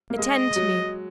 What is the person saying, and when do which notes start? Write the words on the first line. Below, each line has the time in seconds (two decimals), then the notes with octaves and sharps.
"Attend to me."
0.10 A#3
0.19 G#3 D#5
0.56 F#3